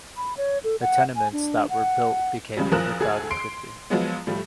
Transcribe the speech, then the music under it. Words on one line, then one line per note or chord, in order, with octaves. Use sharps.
The tenements that were built became overcrowded quickly.
B5
C#5
A4
F#5
G#5
D4
F#5
C#2 C#3 F3 G3
F#1 F3 A#4 D#6 F#6 E7
D2 G#4 A4 G#6
C6 C7 D7
F3 F#3 G#3 B3
A2 F3 G3